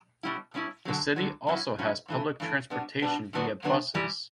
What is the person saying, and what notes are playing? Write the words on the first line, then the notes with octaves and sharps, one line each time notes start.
The city also has public transportation via buses.
B2 G3 C#4 E4
B2 G3 C#4 E4
F#2 D3 F#3
F#2 D3 F#3
G2 F#3 C#4 E4
G2 F#3 C#4 E4
G2 E3 A3
G2 E3 A3
B2 G3 B3 D4
B2 G3 B3 D4
F#2 D3 F#3 B3 D4
F#2 D3 F#3 B3 D4
F#2 E3 G3